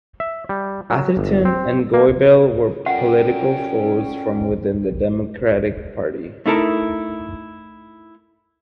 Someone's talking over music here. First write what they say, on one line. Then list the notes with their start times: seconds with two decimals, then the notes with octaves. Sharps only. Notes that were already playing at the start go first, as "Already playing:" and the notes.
Atherton and Goebel were political foes from within the democratic party.
0.20 E5
0.49 G3
0.90 F#3
1.17 G1
1.45 C4
1.94 A#3
2.86 C#4 F4 A4 A#4 D5 F#5 G5
6.46 A3 D#4 E4 A4 A#4